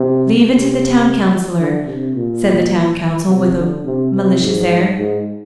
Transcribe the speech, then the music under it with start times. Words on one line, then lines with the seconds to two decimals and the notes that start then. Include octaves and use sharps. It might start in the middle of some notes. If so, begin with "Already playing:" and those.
'Leave it to the Town Counsellor,' said the town council with a malicious air.
Already playing: C3
0.46 C3
1.60 D3
1.87 C3
2.15 A#2
3.29 C3
3.57 D3
3.85 C3
4.14 C3
4.41 G#2
4.98 G#2